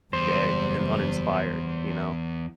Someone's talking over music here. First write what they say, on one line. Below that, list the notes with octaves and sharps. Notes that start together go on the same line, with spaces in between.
dead and uninspired, you know?
F#1 E2 G3 C5